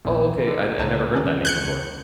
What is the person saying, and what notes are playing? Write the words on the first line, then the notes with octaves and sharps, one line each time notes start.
Oh, okay, I'd I never heard that name before.
A#1 E2
D3 D#4
C#2 C#5 A5 A#5
D#3 C#4 D5
F#6 G6 C#7